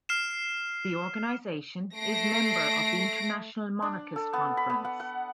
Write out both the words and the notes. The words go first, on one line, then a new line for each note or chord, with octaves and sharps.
The organization is member of the International Monarchist Conference.
F6 C7 E7
A3 A#6 C7 D7
D4
A4
B3
B5
B3
F#5
F#5